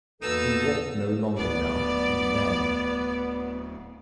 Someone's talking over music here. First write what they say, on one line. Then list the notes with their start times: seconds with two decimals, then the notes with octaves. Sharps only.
He walked no longer now; he ran.
0.22 E2 A#3 B3 D#4 F#4 A4 A5 E6
1.39 D1 D2 B3 D5